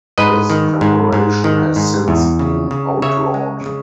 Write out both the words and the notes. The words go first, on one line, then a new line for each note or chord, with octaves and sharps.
This preparation has since been outlawed.
G#2 B4 D#5
D#3
G#2
G#2
D#3
G#2
E2
C#3
C#3
C#3 C#5 E5
G#3
C#3